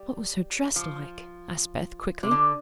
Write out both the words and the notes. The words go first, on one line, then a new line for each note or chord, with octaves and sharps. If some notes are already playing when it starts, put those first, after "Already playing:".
"What was her dress like?" asked Beth, quickly.
Already playing: G3
F3
C3
D3